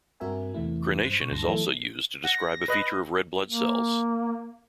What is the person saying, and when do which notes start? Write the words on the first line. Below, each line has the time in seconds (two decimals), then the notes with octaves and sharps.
Crenation is also used to describe a feature of red blood cells.
0.20 G2 C4 F#4 A#4 E5 G#5
0.54 E2 C3 E3 A3 E4
1.04 G2 C5 F#6
1.19 B2 C#6
1.31 D2 G2 A5 C6 A#6
1.47 E3 F#3 A3 B3 E4 A4
2.24 F#5 A#6
2.68 B4 D#5
3.47 A#3